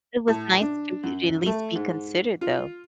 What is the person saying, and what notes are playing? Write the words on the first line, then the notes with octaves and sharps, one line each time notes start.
It was nice for you to at least be considered, though.
A2
D4
F#2
A3
G#2
F4